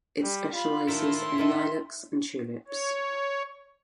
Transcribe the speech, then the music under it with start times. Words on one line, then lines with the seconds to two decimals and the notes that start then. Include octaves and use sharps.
It specializes in lilacs and tulips.
0.23 G3
0.55 F4 B5
0.88 D#3 D4 E4 A4 C6
1.38 D#3 D4 D#4 E5
2.68 C#5